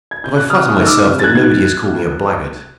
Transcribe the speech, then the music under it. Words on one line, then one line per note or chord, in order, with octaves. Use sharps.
But I flatter myself that nobody has called me a blackguard.
G#6
G6
F#6
C3 D#6 F6
C#6 D#6
D#3 G#3 F6
D6 E6
C3
A6
F#6 G#6
D#3 G#6